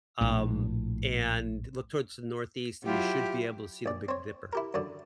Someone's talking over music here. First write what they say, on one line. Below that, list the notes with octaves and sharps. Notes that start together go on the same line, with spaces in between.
Um, and look towards the Northeast and you should be able to see the Big Dipper.
A#1 A2
F#3 E4 F4 G4
A#1 D5
C4 C#5
E4 G4 A#4
F#2 D3 D5